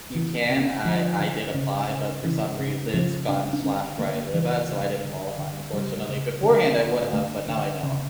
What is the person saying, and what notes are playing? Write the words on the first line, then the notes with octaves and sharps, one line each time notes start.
You can. I I did apply, but for some re that's gotten slashed where I live at, so I didn't qualify, unfortunately. Beforehand, I would have, but now I don't.
C#3 E3
C#3
D3 F3
D3
C#3
C#3
C#3 E3
C#3
C#3 F3
C#3 D4
D4
D3 C#4
D3 A#3
C#3 E3
C#3
D3
D3
C#3 G3
C#3
D3
D3
D3 A3
D3
C#3